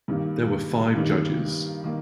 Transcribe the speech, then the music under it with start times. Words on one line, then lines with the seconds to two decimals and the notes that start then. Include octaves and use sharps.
There were five judges.
0.08 G2 D#3 A#3
0.94 G2 D#3 A#3
1.84 D#3 A#3